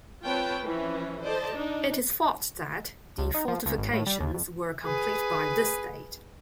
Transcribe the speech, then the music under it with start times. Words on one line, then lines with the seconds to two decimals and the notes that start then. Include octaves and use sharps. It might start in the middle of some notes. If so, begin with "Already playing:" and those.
It is thought that the fortifications were complete by this date.
0.24 C4 F4 B4 C#5 G5 A5
0.63 E3 F3 C#4 E4
1.22 A4 C5 D5 D#5 A5
1.53 D4 D#4
3.18 C#2
3.34 D#4
3.48 F3
3.66 C#2
3.78 G#1
3.93 A2
4.06 G3
4.20 D#2
4.34 F2
4.83 G#4 B4